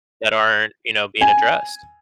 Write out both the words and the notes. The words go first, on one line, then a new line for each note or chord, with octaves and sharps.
that aren't, you know, being addressed.
G#5